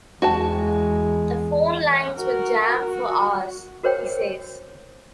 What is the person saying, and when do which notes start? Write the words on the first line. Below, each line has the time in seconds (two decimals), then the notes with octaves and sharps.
"The phone lines were jammed for hours," he says.
0.22 E2 G#3 F#4 G5 A5
2.17 F#4 A#4
2.84 F#4
3.83 F#4 A#4 C5 C#5 G5